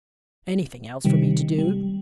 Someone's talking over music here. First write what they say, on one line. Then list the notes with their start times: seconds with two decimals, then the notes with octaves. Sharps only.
"Anything else for me to do?"
1.05 C3 D#3 G3
1.59 G3